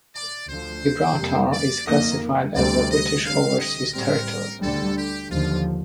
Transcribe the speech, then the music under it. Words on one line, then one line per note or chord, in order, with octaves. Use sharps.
Gibraltar is classified as a British overseas territory.
D5
D2 D3 F3 C5
F2 C3 G3 A#3
D5
F2 D#3 A#3 D#5
D2 C3 G3 D5
D#5
D2 D3 G3 C4 F5
D#5
A2 G3 C4 A#4
D2 D3 G3 A4
G4
D#2 D3 F3 F4